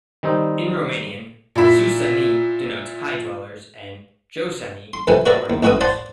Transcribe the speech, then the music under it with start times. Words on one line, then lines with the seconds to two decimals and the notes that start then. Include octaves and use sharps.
In Romanian, "Susani" denotes "high-dwellers" and "Josani" "lower-dwellers".
0.23 D#3 G3 C4 D#4
1.55 A#2 E4 B6
4.93 C6
5.07 F2 C3 D#3 B4 G#5
5.26 F#4 A#4 B4 D5 E5
5.50 D#2
5.63 A1 G#3 F#4 B4 E5 D#6
5.81 C5 D5 F#5 A5 B5 C6